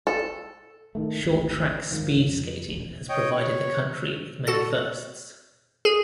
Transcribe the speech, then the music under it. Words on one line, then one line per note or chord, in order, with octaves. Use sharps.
Short track speed skating has provided the country with many firsts.
A4
A2 D#3 A3
G#1 D2
C2 G#2 D#3 F3
F2
E1 A#1
C#5 D#5 G5
C#5
F#4 A4 A6
G#4